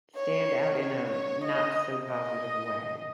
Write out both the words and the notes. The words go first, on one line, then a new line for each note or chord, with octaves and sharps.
stand out in a n not so positive way.
C#5
C#5
C#5
D#5
D#5